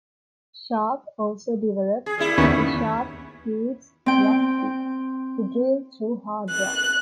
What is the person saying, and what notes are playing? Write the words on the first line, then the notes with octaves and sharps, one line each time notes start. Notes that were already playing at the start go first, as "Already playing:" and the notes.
Sharp also developed the "Sharp-Hughes Rock Bit" to drill through hard rock.
G#4
G3 A#3 E4
D#2 B3 C#4
C4 G5
F#6